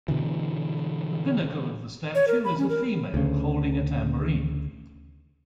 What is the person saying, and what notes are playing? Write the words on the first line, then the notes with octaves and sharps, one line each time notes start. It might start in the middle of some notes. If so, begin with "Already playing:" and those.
The pinnacle of the statue is a female holding a tambourine.
B2 D3 E3
C#5
A#4
B5
C#4
A#4
D2 C#3